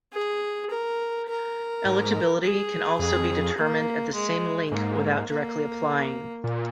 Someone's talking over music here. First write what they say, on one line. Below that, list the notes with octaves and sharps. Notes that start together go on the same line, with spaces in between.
Eligibility can also be determined at the same link without directly applying.
G#4
A#4
A#4
G#2
G#4
F2 G#4
A#3
G#3
G#2 A#3
A#3
A#2